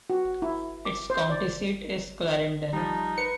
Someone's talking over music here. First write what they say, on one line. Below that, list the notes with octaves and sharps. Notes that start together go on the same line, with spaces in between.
Its county seat is Clarendon.
F#4
E4
D6
C5
D5
F3 G3 D#4
B4 C#7